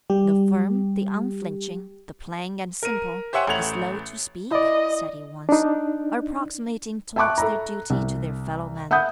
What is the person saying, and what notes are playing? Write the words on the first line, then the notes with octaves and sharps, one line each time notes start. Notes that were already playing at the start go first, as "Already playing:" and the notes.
"The firm, the unflinching, the plain and simple, the slow to speak," said he once, "are approximating towards their duty to their fellow-men."
G3 G4
A#4 D#7
G4 C5 C#5 E5 F#5 G#5
A1 A3 F#5 G#6 F7 F#7
E4 D5 D#5
D4 D#4
E5 G5 A5 C#6 D6 F#6
A4 E5 A#5
C2
E5 F#5 B5 D#6 G6